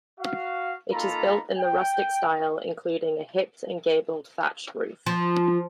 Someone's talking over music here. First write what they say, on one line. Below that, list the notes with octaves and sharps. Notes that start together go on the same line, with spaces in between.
It is built in the rustic style, including a hipped and gabled, thatched roof.
F#4 F5
A#3 D#4 F4 A4 A#5 B5
G5
F3